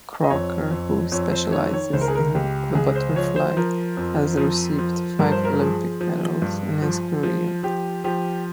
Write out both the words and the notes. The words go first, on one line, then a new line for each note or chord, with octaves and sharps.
Crocker, who specializes in the butterfly, has received five Olympic medals in his career.
D#5
F2 C#5
F2
F2 C#5
C5
D#3 C#5
C#5
C#2 C5
A#4
G#4
A#4
C#2 G4
C#2 G#4
C5
F3 C#5
C5
F3 A#4
F2
F3
F3
G2 A#4
C5
A#4
F3 G#4
F3
G2
F3
F3
F3 G4
F3 G4